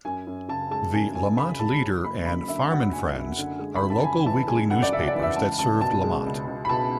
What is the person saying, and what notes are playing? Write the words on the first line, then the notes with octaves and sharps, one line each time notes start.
"The Lamont Leader" and "Farm 'n' Friends" are local weekly newspapers that serve Lamont.
F#2 G#5
F#2
C#3 A5
G#3 A5
F#2 G#5
F#2 G#5
C#3 B5
G#3 A5
F#3
F#1 B5
F#2 B5
D3 E5
F#3 F#5
F#1 G#5
F#2
D3
G#3
B5
F#2
A5
C#3 G#5
E3 A5
G#3 G#5
F#2 F#5
D5
C#3 E5
D5
E3
E5
C#2 A5
C#2 A5
B2 A5
G#3
C#2
C#2
B5
B2 A5